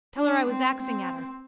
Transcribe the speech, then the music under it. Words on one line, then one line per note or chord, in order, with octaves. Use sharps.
Tell her I was axing at her.
D4
C4
C4